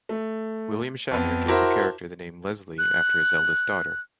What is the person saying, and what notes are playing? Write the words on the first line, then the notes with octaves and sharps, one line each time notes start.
William Shatner gave the character the name Leslie after his eldest daughter.
A3
F2 B3
E4 F#4 A#4 C5 A5 D6
F#6